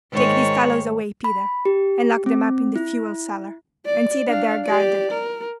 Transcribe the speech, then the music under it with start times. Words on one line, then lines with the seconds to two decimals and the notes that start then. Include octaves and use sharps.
Take these fellows away, Peter, and lock them up in the fuel-cellar, and see that they are guarded.
0.12 G#2 D#3 C#5
1.24 B5
1.65 G4
2.26 C4
2.76 E4
3.86 D5
4.28 D4 F5
4.65 G4 D5
5.12 A#4